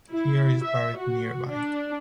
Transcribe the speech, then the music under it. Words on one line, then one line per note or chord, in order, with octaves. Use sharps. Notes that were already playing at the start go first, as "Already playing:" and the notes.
Heer is buried nearby.
E4
E5
F#4
D4